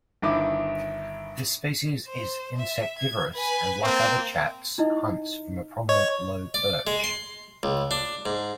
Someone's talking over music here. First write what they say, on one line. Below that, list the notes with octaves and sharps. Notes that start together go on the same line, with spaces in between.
This species is insectivorous, and like other chats hunts from a prominent low perch.
G1 D#3 E4 D6
C5
E5
G#6
B4 G#5
A#3 C4
D#4 E4 D#5
C#5 D#5
D5
G#3
C6
C#2
D4
G#2